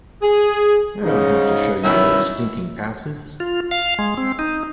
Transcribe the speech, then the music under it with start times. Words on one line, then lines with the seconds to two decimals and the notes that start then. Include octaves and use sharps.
I don't have to show you no stinking passes!
0.22 G#4
1.04 G#2 C#3 D#4
1.83 B2 D#3 C#4 E4 F#4 E5
3.40 F4
3.71 F5
3.99 G#3
4.17 C4
4.39 D#4